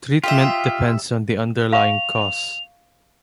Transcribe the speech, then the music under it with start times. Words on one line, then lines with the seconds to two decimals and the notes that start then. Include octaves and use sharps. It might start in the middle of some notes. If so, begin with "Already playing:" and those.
Treatment depends on the underlying cause.
0.24 F4 G4 D#5 E5
1.73 F5 C#6 F7